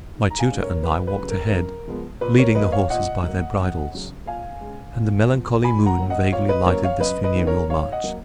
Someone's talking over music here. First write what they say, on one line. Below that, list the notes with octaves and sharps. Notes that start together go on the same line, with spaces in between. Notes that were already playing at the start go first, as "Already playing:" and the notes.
My tutor and I walked ahead, leading the horses by their bridles, and the melancholy moon vaguely lighted this funereal march.
G#2
A#5
F5 G#5
D#3 G#3 C#4
A#4 C#5
A#4
F2 B4
B4
C#3 F#3
A#4
A#4
F#2
F3 G#3 B3
A#2 B4
A#4 C#5
F#3 A#3 B4 D#5
C#5 F5
A#2 D#5 F#5
F#3 A#3
F2
C#3 F#3 C#4
A#2 F5 G#5
G#3 C#4
A#2
F3 B3
A#2 G#5 B5
F#5 A#5
F#3 A#3 C#4
D#5 F#5
A#2 C#5 F5
B4 D#5
F#3 A#3 C#4 A#4 C#5
C#5 F5
F#2 B4 D#5
B4 D#5
D#3 A#3 C#4
A#4 C#5
G#2 C#5 F5
D#5 F#5
F#3 A#3